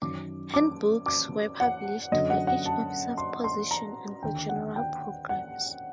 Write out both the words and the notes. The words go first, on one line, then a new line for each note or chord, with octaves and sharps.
Handbooks were published for each officer position and for general programs.
F#2 D#3 D6
D6
D6
F#5
F#2 D3 D#5
F#5
F#5
A5
C6
C6
A#5
D#2 D3 G5
F#5
G5
F#5